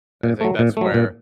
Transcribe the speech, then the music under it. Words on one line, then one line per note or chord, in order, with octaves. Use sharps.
I think that's where
A#2
F#3 A3
A#2
F#3 A3
A#2